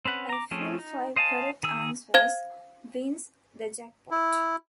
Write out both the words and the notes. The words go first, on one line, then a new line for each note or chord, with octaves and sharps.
A full five correct answers wins the jackpot.
C4 C#4 B4 F#5
A#5 D6
F3 A3 C4 C#4 G#4
D#4
C5 D#5 F5 G#5 A5
D#3 G#4 E6
C5 F5 G#6
E4